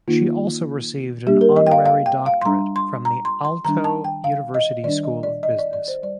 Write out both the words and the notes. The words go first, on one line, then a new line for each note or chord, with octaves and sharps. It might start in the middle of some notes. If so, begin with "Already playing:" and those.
She also received an honorary doctorate from the Aalto University School of Business.
D#3 A#3 D#4 F4
G3 A#3 D4 G4
A#4
D#5
G5
F5
F5
G5
F5
C6
G3 D4 A#5
C6
A#5
C6
C6
D#3 G3 D4 A#5
A5
G5
F5
D#5
D#3 G3 D4 D5
D#5
D5
D#5
D5
D5
C5
G3 D5